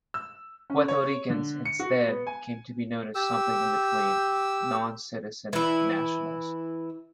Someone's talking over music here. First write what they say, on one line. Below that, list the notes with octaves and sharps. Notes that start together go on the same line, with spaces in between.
Puerto Ricans, instead, came to be known as something in between: noncitizen nationals.
E6
C#4
C#5
D3
C#7
F#4
B3
G#5
G4 E6
E3 E4